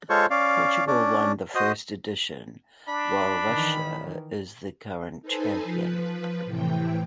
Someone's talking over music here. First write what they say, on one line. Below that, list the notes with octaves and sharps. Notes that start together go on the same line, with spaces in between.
Portugal won the first edition, while Russia is the current champion.
G#3 F4 A4 C5 C#5 C#6
C#4 D5 F5
C#4 D4 D5
F#4 C5 D#5 D#6
D4 B5
D#3 E3
D#4 A4 B4 C5 G#5
F3 B4
A2 C3 E3 G5